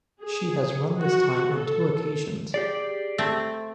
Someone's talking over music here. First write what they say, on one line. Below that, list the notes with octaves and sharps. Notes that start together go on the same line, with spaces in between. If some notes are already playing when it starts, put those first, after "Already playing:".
She has run this time on two occasions.
G#4
F#4
A4
G4 G#4 D5
A3 C4